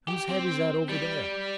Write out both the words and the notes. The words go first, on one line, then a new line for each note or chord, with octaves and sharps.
"Whose head is that over there?"
G4
C4
G3